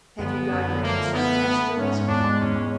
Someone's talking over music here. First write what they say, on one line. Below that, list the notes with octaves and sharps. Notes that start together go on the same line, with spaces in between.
"Have you got your answer?" asked Elizabeth.
G1 B3
G1
F#2
D3
A3 A#3
F3
F3 B3
A3
A3
A3
G#2 C#4
G#2
E2 D4
G#3
E2 C#4
G#3